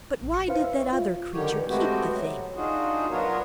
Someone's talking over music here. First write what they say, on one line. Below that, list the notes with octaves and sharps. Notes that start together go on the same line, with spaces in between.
But why did that other creature keep the thing?
A1
C#7
E4 B4 C5 F5
E5
C#5
F4
D3 D#3 F#3 G4 C#5
E3
G#3 A3 B3 C4 F#4 G4
F#3
D4 D#4 F4 F#4 G#4
F#3 B3 D4 F4 A#4 C#5